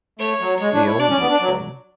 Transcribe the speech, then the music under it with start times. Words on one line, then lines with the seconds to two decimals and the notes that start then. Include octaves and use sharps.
They all look young.
0.19 A3 C#5
0.40 F#3
0.59 G#3 C#5
0.74 D4
0.86 E4
0.99 D4 D5
1.10 C#4
1.20 B3
1.29 D4
1.40 F#3